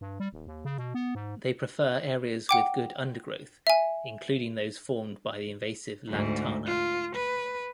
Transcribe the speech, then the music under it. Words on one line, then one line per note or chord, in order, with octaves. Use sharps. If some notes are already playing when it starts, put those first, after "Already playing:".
They prefer areas with good undergrowth including those formed by the invasive "Lantana".
G2
G3
D#1
D#2
C#3
B2
B3
G#2
F#5 G5 D6
E5 G#5
D2 G#2
F4
B4